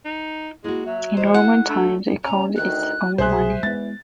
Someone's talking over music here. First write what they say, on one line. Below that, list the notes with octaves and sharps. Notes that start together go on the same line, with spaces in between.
In Roman times, it coined its own money.
D#4
G#3 A#3 E4 F#4
F#3 E5
E3 C5 D#5
G#3 E4 F#5
A3 D4
C#4 A#5
D2 D#3 F#6
C2 B2 G#4 C5 E5 F#6
E2 E3 G#3 B3 A6